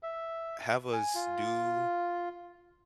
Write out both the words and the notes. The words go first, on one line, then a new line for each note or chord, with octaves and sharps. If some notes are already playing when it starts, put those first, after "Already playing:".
have us do
E5
G#5
F4